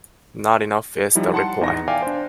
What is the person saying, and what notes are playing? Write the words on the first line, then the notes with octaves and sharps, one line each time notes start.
Not enough, is the reply.
F3 G3 D#4 E4
F#5 A5 C6 C#7
E2 D#4 A#6
D5 E5 F5 G5 G#5 D6
D4 C5